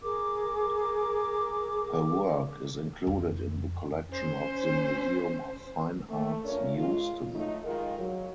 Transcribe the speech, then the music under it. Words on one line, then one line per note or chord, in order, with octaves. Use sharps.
Her work is included in the collection of the Museum of Fine Arts Houston.
G#4 A#4 D6
F2
C#4 C5
A3
C#4 D4 F4 A#4 C#5
G#3 F4
F#3 A3 D#4
D#3 G#3 F4 A#4
F#3